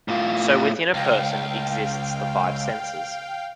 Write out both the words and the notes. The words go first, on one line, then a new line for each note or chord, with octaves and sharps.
So within a person exists the five senses.
A2 F4
C#2 F5 G5